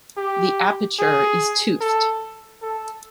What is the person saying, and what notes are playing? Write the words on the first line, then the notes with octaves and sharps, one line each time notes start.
The aperture is toothed.
G4
G#4
A4
A4